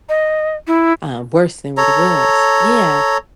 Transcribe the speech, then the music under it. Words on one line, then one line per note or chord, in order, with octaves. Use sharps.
uh, worse than what it was Yeah.
D#5
E4
A4 C#5 A#5